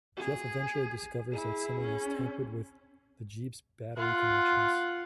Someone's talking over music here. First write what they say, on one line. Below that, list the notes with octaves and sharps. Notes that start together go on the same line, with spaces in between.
Jeff eventually discovers that someone has tampered with the Jeep's battery connections.
G#4
E4 G#4
C#4
F4 F#5